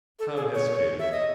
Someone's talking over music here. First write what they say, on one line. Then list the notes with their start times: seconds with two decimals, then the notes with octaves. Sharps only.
Tom hesitated.
0.19 A4
0.37 G#4
0.55 C#5
0.99 E5
1.12 D#5